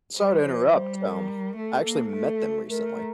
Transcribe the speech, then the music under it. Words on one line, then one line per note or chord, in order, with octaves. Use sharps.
Sorry to interrupt, um, I actually met them recently.
G3 C5
F3
G3
A#4
A3 A4
A#3
A3
A3 A#4